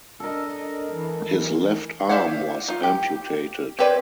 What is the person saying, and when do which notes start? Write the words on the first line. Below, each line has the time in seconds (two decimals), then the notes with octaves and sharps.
His left arm was amputated.
0.20 D4 A4 A#4 D#5
0.93 E3
1.25 E3
2.09 E4 C5 D5 F5 F#5
2.68 D#4 F4
2.83 G4
3.79 C4 G4 B4 C#5 D5